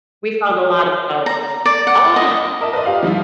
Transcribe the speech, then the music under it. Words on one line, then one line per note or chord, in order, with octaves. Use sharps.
We found a lot of those. Ah!
A#5
D5
F#5
D#5
A#4 D#5 E5 A5
B4 C5 D5 D#5
F4 G4 F5 F6
F3 G3 D#4 E4